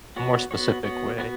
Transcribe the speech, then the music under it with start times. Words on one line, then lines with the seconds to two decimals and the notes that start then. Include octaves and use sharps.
more specific way?
0.16 B3 F#4 C#5
0.51 B3 F#4 C#5
0.84 B3 F#4 C#5
1.18 B3 F#4